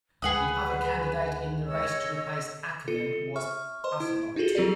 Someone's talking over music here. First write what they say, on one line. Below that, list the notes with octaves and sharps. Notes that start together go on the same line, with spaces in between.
The other candidate in the race to replace Akerman was Arsenault.
D2 D3 G#3 G#4 B4 F#5 D#6
C#5 D#5 E6
F4 A4 C#7
E5 C#6 F6
C5 D#5 C6
E4
D#4 F4 F#4 G#4 A4
F#3 C4 F4 G4 G#4 D5